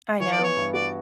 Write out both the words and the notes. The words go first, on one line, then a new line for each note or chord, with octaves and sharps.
I know,
E3 C#5
D5
B3
C#5
G2
F#4 D5